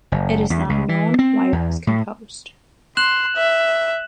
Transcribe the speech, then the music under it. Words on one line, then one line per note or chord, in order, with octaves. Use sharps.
It is not known why it was composed.
F#1
E2
C#2
E3
C4
E2
A2
C6 F#6 E7 F#7
E5